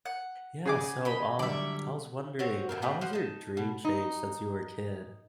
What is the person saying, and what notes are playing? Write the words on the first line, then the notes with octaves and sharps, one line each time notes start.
Yeah, so, um, I was wondering, how has your dream changed since you were a kid?
F#5
C#3 G#4 D6
D#5 B5
D3 F#3 G3 D5 E5
C4 F#4 C#5
D3 C4 A#4
A2 B3 C4 G4
F3 C5 F#5
D#4 A5
B2
D#4